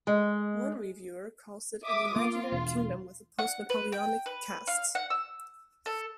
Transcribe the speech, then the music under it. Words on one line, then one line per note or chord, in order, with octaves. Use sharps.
One reviewer calls it "an imaginary kingdom with a post-Napoleonic cast".
G#3
E5 D6 D#6
A#3 F4
E1
F#5
B4
G5
B4
F5
F#5
E6
A4